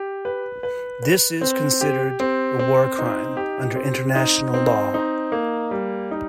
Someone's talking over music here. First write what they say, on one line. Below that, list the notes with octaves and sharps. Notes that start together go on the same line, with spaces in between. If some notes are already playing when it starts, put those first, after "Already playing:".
This is considered a war crime under international law.
Already playing: G4
B4
B4
B4
C4
G4
C4
C4
D#4
G4
C4
D#4
C4
D#4
A#3
G3
D#4